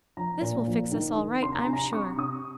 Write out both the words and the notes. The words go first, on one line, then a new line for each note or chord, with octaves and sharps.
"This will fix us all right, I'm sure."
F3 A#5
A#2
F3
D#3
D#3
C3 C6
A#5
C3 G#5
A#5
C3 C#6
C3 D#6